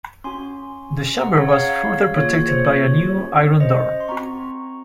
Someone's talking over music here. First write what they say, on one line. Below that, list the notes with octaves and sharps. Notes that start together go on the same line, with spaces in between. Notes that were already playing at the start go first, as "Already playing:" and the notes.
The chamber was further protected by a new iron door.
C#4 F#4 G#5 C6
C#4 G#4 F#5 A#5
C#5
F#5
C#5 F5
A#3 F4 G#4 C#5
C#5
C5
C#5
C#4 F#4
C5 D#5
C6
C4 F#4 A#5 C#6